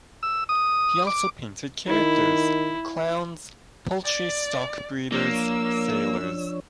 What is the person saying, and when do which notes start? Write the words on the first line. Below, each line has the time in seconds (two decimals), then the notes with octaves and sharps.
He also painted characters: clowns, poultry stockbreeders, sailors.
0.23 E6
0.49 D#6
1.07 D6
1.88 D#3 E4
4.04 D5
5.12 F3 A#3 D4 C#5 E6